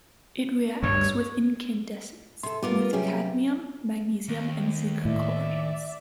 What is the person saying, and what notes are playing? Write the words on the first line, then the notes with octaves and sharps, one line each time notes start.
It reacts with incandescence with cadmium, magnesium and zinc chlorates.
D2 G2 G3 C#5
C3 A4 C6
G3 B3 F4 A#4 D6
C3 F#3 G3 C#4 G4 G#4
D#2
A2 D5 E5